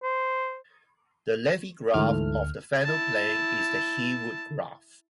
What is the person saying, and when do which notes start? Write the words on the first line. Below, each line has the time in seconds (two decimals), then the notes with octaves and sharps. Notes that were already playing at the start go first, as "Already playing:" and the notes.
The Levi graph of the Fano plane is the Heawood graph.
0.03 C5
1.94 D2 G#2 E3 A3 F6
2.84 E4 A5